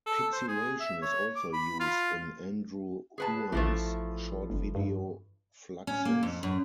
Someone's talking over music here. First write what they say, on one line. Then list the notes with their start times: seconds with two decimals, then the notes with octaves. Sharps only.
Pixilation is also used in Andrew Huang's short video "Fluxis".
0.07 A4
0.33 C5
0.48 G#4
0.80 E5
1.02 C#5
1.36 D6
1.53 B5
1.80 F4
3.18 G#4 B4 A5
3.52 A1 E3 F3 A3
4.50 G1
4.75 G2
5.87 C#4
6.05 A#3
6.23 F2
6.43 F#2